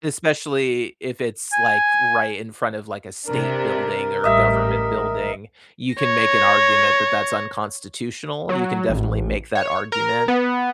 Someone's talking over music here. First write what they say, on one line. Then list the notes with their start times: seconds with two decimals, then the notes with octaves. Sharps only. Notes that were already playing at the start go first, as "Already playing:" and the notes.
Especially, if it's, like, right in front of, like, a state building, or a government building, you can make an argument that that's unconstitutional. You can definitely make that argument.
1.53 G#5
3.27 C3 D4 A#4
4.24 A1 G3 D#5 E5
5.95 C#5 A#6
8.49 F#3
8.89 A1
9.55 C#5
9.92 A#4
10.28 B3